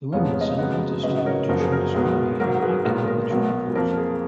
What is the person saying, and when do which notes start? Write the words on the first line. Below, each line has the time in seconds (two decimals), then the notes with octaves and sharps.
The women sent letters to the magician describing how accurate the chart was.
0.12 F1 F2 F3 G#3 B3 C#5 F5
0.33 C#5
0.41 D#5
0.49 F5
0.58 F#2 C#3 G#3 B3 D#5 F#5
1.03 G#1 F#2 C#3 B4 D#5
1.17 D#5
1.26 A#4 C#5
1.49 F#1 F#2 F3 B3 A#4
1.60 G#4
1.72 A#4
1.94 B1 B2 G#3 B3
2.40 G#1 G#2 F#3 A#4
2.62 G#4 B4
2.85 B1 A#2 G#3 B3 A#4
3.07 A#4
3.30 B1 B2 F#3 B3
3.75 F2 F3 A#3 A#4
3.93 A#4
3.97 G#4